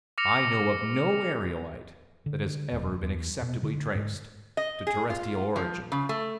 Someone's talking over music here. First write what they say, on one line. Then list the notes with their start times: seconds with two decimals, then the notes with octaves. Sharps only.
I know of no aerolite that has ever been acceptably traced to terrestrial origin.
0.18 D6 F6 A#6 C#7 F7
2.26 D3
2.46 D3
2.71 E1
3.02 E2
3.42 B2
3.63 D3
3.95 G#2
4.57 D#5
4.87 G#4
5.10 F4
5.56 F3
5.92 C#3
6.09 A3